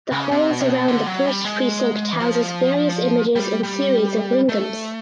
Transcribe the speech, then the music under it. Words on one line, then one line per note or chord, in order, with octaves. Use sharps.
The halls around the first precinct houses various images and series of Lingams.
C#3
C3
B2
C3
B2
D3
F#3
G3
G#3
E3
F3
G3
G3
A3